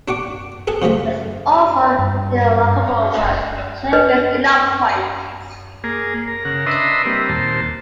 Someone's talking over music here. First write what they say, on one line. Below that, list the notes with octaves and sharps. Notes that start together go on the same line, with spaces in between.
There is also an unlockable world if the player gets enough points.
D4 F#4 F#5 D6
G#4 A4 F#5 G#5
C#3 F3 F#3 A3
G2
D4 B4 D#5
A#3 G#4
A#4
C#3 A#4 F#5
D4 B4 D#5 E5 A#5 C6
G3 A#3 C4
D#2 A#2 C5 A5